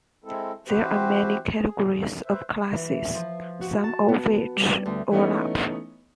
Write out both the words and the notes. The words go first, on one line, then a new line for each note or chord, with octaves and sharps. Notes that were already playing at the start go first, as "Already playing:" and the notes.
There are many categories of classes, some of which overlap.
G#3 C4 E4 A4
E3 C4 F#4 G4 B4 C5
G#4
B4 C5 E5
E3
F3
F#4
A5
B3
G3
D2
E3 A3 B3 C#4 D#4